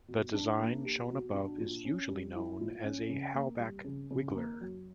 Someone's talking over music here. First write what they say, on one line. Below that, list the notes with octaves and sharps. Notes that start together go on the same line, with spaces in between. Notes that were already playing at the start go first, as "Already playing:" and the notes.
The design shown above is usually known as a Halbach wiggler.
B2
D4
A#3
G4
B2
D4
A#2
C#4
G3
E4
A#2
C#4
C#3
A#3
G3
C#3
C#3
A#3
F#2